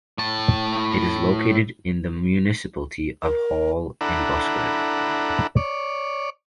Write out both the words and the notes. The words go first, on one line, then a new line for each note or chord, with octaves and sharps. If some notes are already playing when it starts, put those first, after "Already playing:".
It is located in the municipality of Hol in Buskerud.
A2 A5
A#4
D4 E4 A4 F#5 A#5 B5
C#5 D5